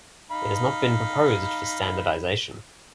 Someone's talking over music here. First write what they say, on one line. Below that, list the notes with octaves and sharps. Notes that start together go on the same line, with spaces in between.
It has not been proposed for standardization.
D#4 F5 B5